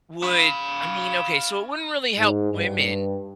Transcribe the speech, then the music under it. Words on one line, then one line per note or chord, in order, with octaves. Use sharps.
would I mean, okay. So, it wouldn't really help women,
F5 B5
G#2
G2